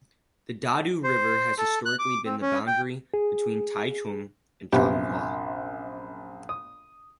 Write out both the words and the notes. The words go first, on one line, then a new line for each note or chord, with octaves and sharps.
The Dadu River has historically been the boundary between Taichung and Changhua.
C5
A4
F#6
D6
C4
C#4
G5
G#4
A#1 F#2 C3 B3 G4
D#6